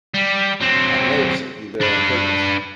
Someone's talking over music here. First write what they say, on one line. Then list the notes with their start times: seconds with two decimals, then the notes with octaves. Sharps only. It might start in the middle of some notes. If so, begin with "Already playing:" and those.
I may have sent you there on purpose.
0.14 G3
0.61 F#3 C4
1.81 D4 B4